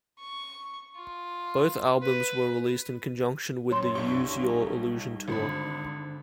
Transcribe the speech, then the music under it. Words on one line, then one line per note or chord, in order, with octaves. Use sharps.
Both albums were released in conjunction with the Use Your Illusion Tour.
C#6
F4
B4
F#2 C#4 C#5 C6
B1 D4 E4 G4 C#6
G3 D#4
G#1 D3 C5 B5